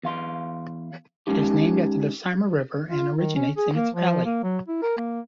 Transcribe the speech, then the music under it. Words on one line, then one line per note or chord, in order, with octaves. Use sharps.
It is named after the Sarma River and originates in its valley.
E2 F5 C6
G#3 C#4 D#4 G4
F4
D#3
C#4
G#4
A#3
F3
A#3
F#3
E4
A#4
A#3